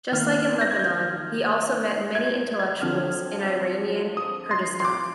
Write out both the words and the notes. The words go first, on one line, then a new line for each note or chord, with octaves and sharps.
Just like in Lebanon, he also met many intellectuals in Iranian Kurdistan.
D#3 A#3 F6
A#6
G#6
G6
G#6
G#6
D3 F3 C4 F6
D#6
C6
C6
D6